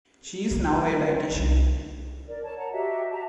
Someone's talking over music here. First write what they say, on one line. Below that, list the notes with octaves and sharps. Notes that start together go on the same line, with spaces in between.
She is now a dietician.
D3 F#3
D1 C2
A#4 D5
C#5 A5
C#5 F#5 A5 A#5
F#4 G4 D#5 E5
E5 A5 A#5